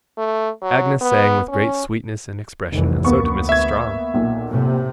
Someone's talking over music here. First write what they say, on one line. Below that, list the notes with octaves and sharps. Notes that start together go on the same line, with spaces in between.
Agnes sang with great sweetness and expression, and so did Mrs. Strong.
A3
F#3
B3
C#4
F1 C2 D#3 E3
D2 A#3 B3 C#6
E5 G#6
B1 A#2
A2 C3